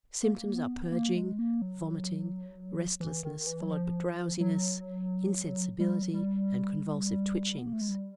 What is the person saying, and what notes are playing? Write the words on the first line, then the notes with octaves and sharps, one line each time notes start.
Symptoms are purging, vomiting, restlessness, followed by drowsiness, insensibility, and convulsive twitchings.
A#3
B3
A#3
G#3
A#3
F#3
E3
D#3
E3
F#3
F3
F#3
G3
F#3
G3
B3
A#3
A3
G#3
G3